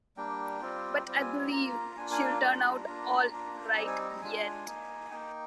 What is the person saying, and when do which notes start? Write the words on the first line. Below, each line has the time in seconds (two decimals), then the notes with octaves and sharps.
But I believe she’ll turn out all right yet.
0.17 G3 A#3 D4 G5
0.61 G3 C4 F4
1.06 G3 C4 F4 G5
1.21 G#5
1.51 A#3 F4 A#5
1.96 A#3 D4 F4 G#5
2.12 G#5
2.41 G3 D4 F4 A#5
2.86 A#3 D4 F4
3.31 A#3 D4 F4
3.76 G3 C4 D#4 G#5
3.87 G#5
4.09 A#5
4.21 G#3 D4 F4 G#5
4.66 A#3 D#4
5.10 A#3 D#4 G5